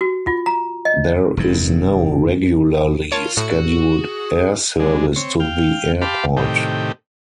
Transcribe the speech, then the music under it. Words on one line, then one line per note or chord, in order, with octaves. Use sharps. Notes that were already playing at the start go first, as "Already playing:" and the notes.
There is no regularly scheduled air service to the airport.
F#4
F4
A#5
D#5
F1 G2 D#3
F4 A#4 C#5 A5
A2 F#4 A4 C#7
G#4
D3 G#3
C4 C#5
F5 G5
G4 F5 A5 B5 C6 D6
A2 C3 D#3 G4